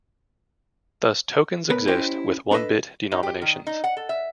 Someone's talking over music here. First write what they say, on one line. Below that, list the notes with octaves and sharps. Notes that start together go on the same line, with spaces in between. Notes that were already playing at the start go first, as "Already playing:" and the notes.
Thus tokens exist with one-bit denominations.
C#2 B3 A#4 B4 B5
C#4 E4 G4 C5 D#5 G5
D4 A4 B4 C5 D#5 E5
D#4
G4
D#3
D#4
F#5
A4
E5